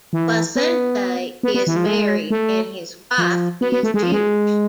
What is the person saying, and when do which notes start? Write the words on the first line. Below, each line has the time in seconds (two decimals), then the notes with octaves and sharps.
Placente is married and his wife is Jewish.
0.13 E3
0.55 B3
1.43 B3
1.54 B3
1.67 E3
1.76 F3
1.86 G#3
2.30 A3
3.18 F3
3.61 B3
3.72 B3
3.83 A3
3.94 G#3
4.03 F3
4.12 G#3